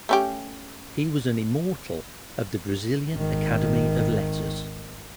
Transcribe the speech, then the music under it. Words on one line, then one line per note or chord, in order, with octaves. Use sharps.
He was an "immortal" of the Brazilian Academy of Letters.
A3 C#4 G4
G#1 D#3